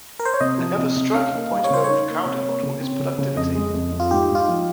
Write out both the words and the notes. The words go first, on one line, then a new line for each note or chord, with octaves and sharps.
Another striking point of overcrowding model is productivity.
A#4
C5
C#5
C3 D#5
F3
C3
C3
C#4 F5
A#3
G3
C#5
C#3 C5
D#4 C#5
A#3
C3
A#3
C#3
C4
C#3
C#3
F2 D#5
G#3
F2
F2
F4
G#2 G4
G#2
F4
F3